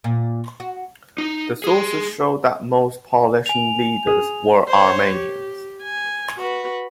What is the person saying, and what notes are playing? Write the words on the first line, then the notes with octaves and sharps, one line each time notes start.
The sources show that most Paulician leaders were Armenians.
A#2
F#4
D#4
G#4 C6
G#5 F7
G#4
C5 C#5
G4
G#5
F#4 B4